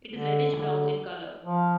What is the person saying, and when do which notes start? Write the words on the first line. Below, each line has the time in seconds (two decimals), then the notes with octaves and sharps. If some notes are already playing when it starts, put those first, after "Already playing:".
It is reddish-brown in color.
0.13 D3
0.57 D3
1.44 F3